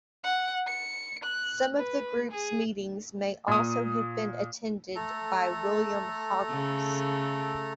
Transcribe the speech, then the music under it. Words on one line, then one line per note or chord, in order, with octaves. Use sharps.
Some of the group's meetings may also have been attended by William Hogarth.
F#5
C#7
F#6
B4
G#4
A#2 D#6
A3 A4 A#5
C#3